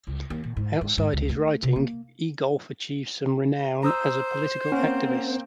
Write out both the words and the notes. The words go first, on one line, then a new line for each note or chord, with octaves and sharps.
Outside his writing, Egolf achieved some renown as a political activist.
C#2
D#2
A#2
G#2
G#2
G#2
C#2
A3
C3
A#3
C5 A#5 D#6 E6
A#3 C4 C#4 F#5